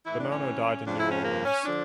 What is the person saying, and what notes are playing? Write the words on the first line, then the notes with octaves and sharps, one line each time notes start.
Bonano died in New Orleans.
A2 E3 E4
D4
C#4
F2 C#3 F3 D4
E4
C#4
A#3
C#4
D3 F3 D4